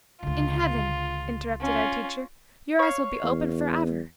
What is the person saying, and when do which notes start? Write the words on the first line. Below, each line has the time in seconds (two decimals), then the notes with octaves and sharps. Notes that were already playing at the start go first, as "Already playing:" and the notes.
"In Heaven," interrupted our teacher, "your eyes will be open forever."
0.23 C#2 D3 F4
1.61 C#4 F4
2.79 C#5 F5
3.23 E2